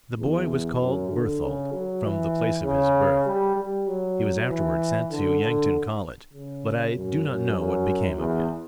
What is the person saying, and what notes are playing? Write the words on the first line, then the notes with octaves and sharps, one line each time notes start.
The boy was called Berthold, from the place of his birth. He was afterward sent to Yankton College, but I do not know what became of him.
E2
F#2
D3
C#3
F#3
E3
C#3
G3
G3
F#3
E3
D3
D3
C#3
F#2
F#2
F#2
E2